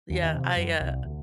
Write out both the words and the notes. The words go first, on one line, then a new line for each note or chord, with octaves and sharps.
Yeah. I, uh,
D#2
D#2
C3
F#2
C2
D2